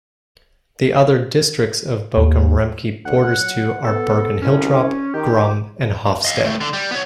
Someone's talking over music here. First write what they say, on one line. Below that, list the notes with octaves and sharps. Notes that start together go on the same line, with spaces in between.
The other districts of Bochum, Riemke borders to are Bergen-Hiltrop, Grumme and Hofstede.
D#2
D2 F#5
F#3
B3 A4
C2 C#4
D#3 G4
D#5 F5
A2 A3
D3
G3
B3 C#5